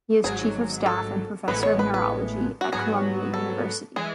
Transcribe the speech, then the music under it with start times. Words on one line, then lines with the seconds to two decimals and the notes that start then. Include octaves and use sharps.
He is Chief of Staff and Professor of Neurology at Columbia University.
0.24 G#1 G#2 F#3 G#4
0.86 A4
1.48 A1 A2 G#3 B3 B4
1.63 C#5
1.79 B4
1.94 B4
2.61 F#4
2.72 G#2 F#3 B3 F#4 G#4
3.34 A4
3.96 E3 G#3 G#4